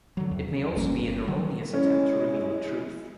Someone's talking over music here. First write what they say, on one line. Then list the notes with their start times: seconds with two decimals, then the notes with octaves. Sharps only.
It may also be an erroneous attempt to reveal a truth.
0.17 D3 F#3
0.31 E2
0.76 G1 G3 A#3 C#4
1.27 D3 F#3
1.73 G#3 C#4 E4